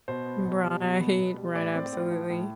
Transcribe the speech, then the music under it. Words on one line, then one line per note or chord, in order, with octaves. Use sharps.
Right, right, absolutely.
B2 C5
B3
B2
G3
B2
B3
B2
G3
A2 D5
C4
A2
F3
A2